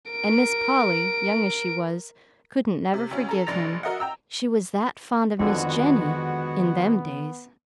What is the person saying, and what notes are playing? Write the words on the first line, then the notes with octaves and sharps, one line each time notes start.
An' Miss Polly--young as she was--couldn't never forgive him; she was that fond of Miss Jennie--in them days.
A#4 D7
C3
D2 C#4
A4 A#5
F1 A#1 D4 A6 A#6 F7
F#4 A#4 D#5 E5 F#5
G5 A#5 E6
F2 D3 D#3 G#3 B3 F#4